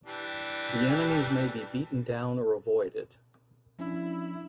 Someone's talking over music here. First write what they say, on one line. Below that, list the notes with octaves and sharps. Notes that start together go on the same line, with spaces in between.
The enemies may be beaten down or avoided.
E3 G3 D4
F3 C#4 D4 E4